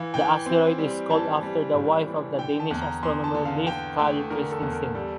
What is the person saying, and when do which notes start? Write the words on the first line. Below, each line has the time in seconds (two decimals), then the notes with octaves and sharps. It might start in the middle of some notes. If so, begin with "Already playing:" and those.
The asteroid is called after the wife of the Danish astronomer Leif Kahl Kristensen.
Already playing: E3 F5
0.14 E3 G5
0.46 C4
0.78 G3
1.10 E3 A5
1.43 G3
1.74 A2
2.06 E3
2.38 D3 G5
2.60 A5
2.71 E2
2.81 A#5
3.03 E2 C6
3.24 A5
3.35 D3
3.45 F5
3.66 D3 G5
3.99 A3 G5
4.30 D3 A#4
4.52 A4
4.63 E2
4.73 A#4
4.95 G3 A4